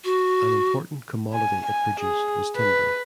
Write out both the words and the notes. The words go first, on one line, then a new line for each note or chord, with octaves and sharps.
An important commodity it produced was timber.
F#4
G#5
G#5
G#4
B4